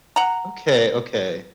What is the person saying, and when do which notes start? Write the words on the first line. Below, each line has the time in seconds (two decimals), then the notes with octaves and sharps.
Okay, okay.
0.16 F#5 A#5